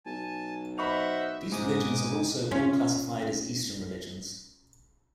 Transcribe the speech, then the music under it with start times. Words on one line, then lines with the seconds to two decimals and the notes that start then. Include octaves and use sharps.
These religions are also all classified as Eastern religions.
0.06 B1 G#5 A5
0.78 C5 D#5 E5 F#5 B5 C#6 F7
1.52 G#2 G#5 D6 D#6
2.51 C#4 F4